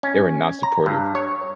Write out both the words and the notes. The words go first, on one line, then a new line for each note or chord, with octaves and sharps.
they were not supportive.
C#4
A#5
G2
C#5